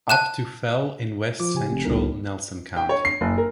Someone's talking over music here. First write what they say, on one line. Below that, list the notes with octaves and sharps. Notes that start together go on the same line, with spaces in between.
Up to fell in west central Nelson County.
A5 F#6 E7
F3 D6
C#3 G4 G#5
F1
G1 C#2 D#4 A#4
G5
C#5
C7
F#1
A#4